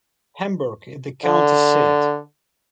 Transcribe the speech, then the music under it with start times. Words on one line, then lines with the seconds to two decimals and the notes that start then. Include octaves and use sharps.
Hamburg is the county seat.
1.25 D3